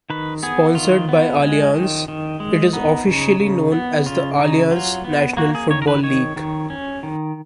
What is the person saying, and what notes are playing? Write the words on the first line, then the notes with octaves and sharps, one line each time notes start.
Sponsored by Allianz, it is officially known as the Allianz National Football League.
D#3 B4
B3 G#4
D#3 F4
B3
G#3
D#3
D#3
G#3
B3 D#4
C#3
C#3
B3
C#3 F4
C#3 D#4
F#3 F4
B3
A#3 F#4
G#4
D#3 C#5
A#4
B4
D#3 C#5
D#3
C#4
D#3